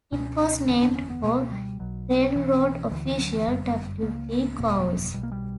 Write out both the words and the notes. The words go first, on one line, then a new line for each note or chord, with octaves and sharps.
It was named for railroad official W. D. Cowles.
C#2 B2 C#4
F#1 E2 D3 C#4
D4
C#4
B3
C#2 B2 A#3
G3
B1 B2 F#3
B1 B2 E3
D2 D3 E3
E3
F#3
E3
G1 F#2 D3 G3
C#2 C#3 A#3
F#1 E2 B2 A#3
B1 B2 G3
A#3
G3